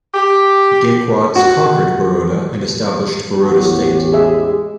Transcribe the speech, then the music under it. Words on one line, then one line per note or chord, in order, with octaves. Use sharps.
Gaekwads conquered Baroda and established Baroda State.
G4
F#4
A1 E2 A2 F#4 G4
G#3 G#4 E5